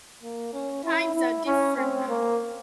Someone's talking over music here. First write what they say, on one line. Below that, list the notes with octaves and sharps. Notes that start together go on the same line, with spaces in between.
Times are different now.
A#3
C#4
E4
E4
C#4
C4
A#3